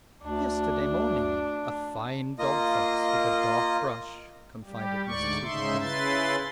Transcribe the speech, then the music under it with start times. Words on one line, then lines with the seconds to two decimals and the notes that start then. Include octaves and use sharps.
"Yesterday morning; a fine dog-fox, with a dark brush," confided Mrs. Hoopington.
0.24 D2 D4
2.39 A#3 F4 D#5
4.65 G3 G4
5.06 D2 G#2 D5 C#6
5.43 G#2 C#3 D#4 E5 C6
5.81 C#3 E4 B4 C6 A6